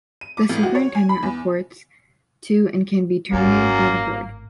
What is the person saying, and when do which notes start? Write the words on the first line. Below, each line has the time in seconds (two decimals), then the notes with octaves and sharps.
The Superintendent reports to and can be terminated by the Board.
0.21 D#7
0.37 D6
0.49 A1
0.63 F#4
0.75 C#5
0.95 G#5
1.09 B5
1.23 E2
3.32 G#1 F#2 A2 A#3